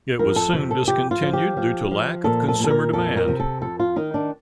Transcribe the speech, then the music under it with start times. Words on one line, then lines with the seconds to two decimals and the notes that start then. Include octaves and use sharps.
It was soon discontinued due to lack of consumer demand.
0.19 F2 A#4
0.36 A4
0.53 C3
0.71 A4
0.88 F2 G4
1.11 F4
1.22 F3
1.33 G4
1.57 F3
1.91 F3
2.24 A#2 A4
2.48 A4
2.59 A#2 A4
2.70 A#4
2.93 F2 A4
3.17 A#4
3.28 C3
3.40 A4
3.61 F2 A4
3.79 F4
3.96 D#3 D#4
4.14 D4